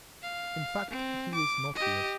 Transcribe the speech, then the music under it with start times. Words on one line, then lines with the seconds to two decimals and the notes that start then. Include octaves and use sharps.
"In fact, he is not here...."
0.23 F5
0.91 C4
1.34 D6
1.76 G4 D#5